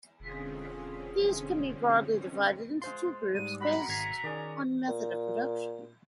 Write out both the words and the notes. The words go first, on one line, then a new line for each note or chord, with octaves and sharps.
These can be broadly divided into two groups based on method of production.
E1 D3 C4 C#4 F4 G#4
G#3 F4 C5 C6
G#2 G3 D#7
F#4 A#4 B5
G#1 A#5 G#6 C7
D#3 C#4 G#4 D5
A#2